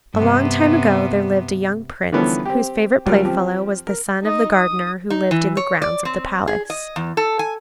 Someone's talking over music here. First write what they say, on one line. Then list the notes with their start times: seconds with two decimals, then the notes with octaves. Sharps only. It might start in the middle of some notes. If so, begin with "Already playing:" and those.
A long time ago there lived a young prince whose favourite playfellow was the son of the gardener who lived in the grounds of the palace.
0.14 G2 C3 B3
2.12 D3 E3 F3 G3 B3 C#4
2.46 C4 G4
3.06 C#2 F#3 G3 F4 A#4
3.25 F3 C4 G4
3.87 A#4
4.22 D#4 D#5
4.52 D#6
5.10 D#4
5.31 E3
5.57 C#5
5.82 D5
6.05 C4
6.48 G#4
6.70 D#5
6.96 E2
7.17 A4
7.39 G#5